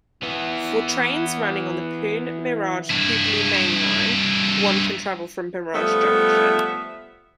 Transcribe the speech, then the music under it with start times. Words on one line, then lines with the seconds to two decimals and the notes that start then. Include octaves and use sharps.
For trains running on the Pune-Miraj-Hubli mainline, one can travel from Miraj junction.
0.23 E3 B3
2.90 G2 E4
5.74 F3 G3 A3 B3 C5 E5